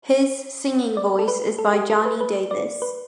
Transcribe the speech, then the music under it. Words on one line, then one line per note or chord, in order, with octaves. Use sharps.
His singing voice is by Johnnie Davis.
D5
A4
B4
A4
G4
A4
B4
B4
D5
B4